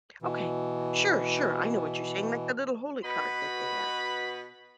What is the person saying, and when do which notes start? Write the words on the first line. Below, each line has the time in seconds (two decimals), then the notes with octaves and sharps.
Okay, sure, sure, I know what you're saying, like, the little holy card that they have.
0.22 B2 E3
3.04 B2 F#4 B4 D#5 B5